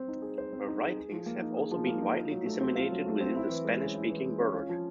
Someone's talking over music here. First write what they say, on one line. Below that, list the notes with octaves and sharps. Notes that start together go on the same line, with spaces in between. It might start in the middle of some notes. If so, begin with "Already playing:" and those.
Her writings have also been widely disseminated within the Spanish-speaking world.
Already playing: C4 C5
D#4
G#4
C5
C4
D#4
G#4
G#4
F3
A#3
D#4
G#4
F3
A#3
D#4
F4
F#3
A3
C4
F4
F#3
A3
C4
E4
E3
G#3
C#4
E4
E3
G#3
C#4
F4
F3